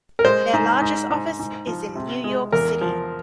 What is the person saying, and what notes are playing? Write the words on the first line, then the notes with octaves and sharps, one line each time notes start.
Their largest office is in New York City.
A#4
G#3 C5
G#2
G#2
G#2
G#2
F3
C3
G#3
E2 A#4
F3